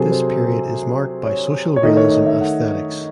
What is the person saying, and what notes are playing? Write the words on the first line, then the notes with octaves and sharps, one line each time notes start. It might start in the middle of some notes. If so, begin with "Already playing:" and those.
This period is marked by social realism aesthetics.
Already playing: C3 F#3 C4 G#4 A4
C5
C#5
C#5
D#3 A3 D#4 D#5
C#5
D#5
E5
F#5